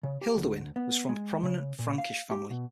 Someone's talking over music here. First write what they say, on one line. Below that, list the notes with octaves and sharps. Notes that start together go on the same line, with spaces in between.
Hilduin was from a prominent Frankish family.
C#3
G4
D2
B3
G#3
C#3
A#2
F5
G4
B2